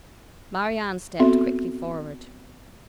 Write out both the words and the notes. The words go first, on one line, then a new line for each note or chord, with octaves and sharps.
Marie-Anne stepped quickly forward.
B3 C4 F#4 A4 E5